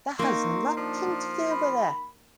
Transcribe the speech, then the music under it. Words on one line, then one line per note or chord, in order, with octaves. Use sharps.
That has nothing to do with it!
A#3 C4 D#4 C#6
F3 D4
B5